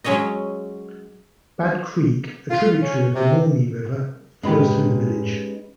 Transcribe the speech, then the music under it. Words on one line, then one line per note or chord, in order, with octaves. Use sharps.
Bad Creek, a tributary of the Maumee River, flows through the village.
F#3 G#3 C#4 C#5 D#5
F4
C#4
C3
F#2 A2 G#3 C#4 D#4 G4 B4